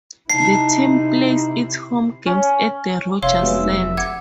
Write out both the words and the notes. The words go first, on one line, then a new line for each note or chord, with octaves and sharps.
The team plays its home games at the Rogers Centre.
C3 D#4 E4 A5 C7
C#4
F1 C#5 E5 F5 C6
F#3 G#3 B3
F#5 D6 G#6